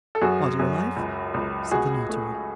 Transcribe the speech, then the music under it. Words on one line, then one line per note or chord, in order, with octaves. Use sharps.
'Father alive?' said the Notary.
A4
F#2 F#4 G#4
F#2
C#2
C#2
C#2 F#4 G#4
A3